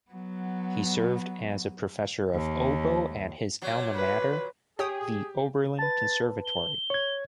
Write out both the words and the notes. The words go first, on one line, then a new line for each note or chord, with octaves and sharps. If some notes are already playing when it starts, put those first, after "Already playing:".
He served as a Professor of Oboe at his alma mater, the Oberlin Conservatory.
F#3 B3
D#2
A#2 F#3
B4
G4 G#4 C#5 G5 D#6
B4 A5 A6
G7
C#5 G#6